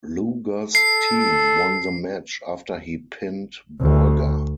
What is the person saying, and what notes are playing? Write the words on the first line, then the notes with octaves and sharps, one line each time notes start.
Luger's team won the match after he pinned Borga.
A4 C7
D2